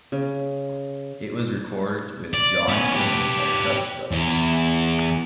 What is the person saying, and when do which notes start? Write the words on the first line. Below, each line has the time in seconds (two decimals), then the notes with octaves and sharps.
It was recorded with John King of Dust Brothers.
0.12 C#3
2.34 D5
2.69 B3 C#4
2.96 G4 B4
4.12 E2